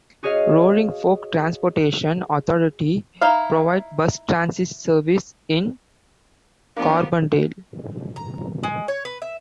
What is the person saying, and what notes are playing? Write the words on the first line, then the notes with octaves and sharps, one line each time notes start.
Roaring Fork Transportation Authority provides bus transit service in Carbondale.
F#4 G#4 C#5 D#5 F5
D#4 E4 F5
F3 A#3 B3 D4 G4
A#5
G#3
C#5
B4
E5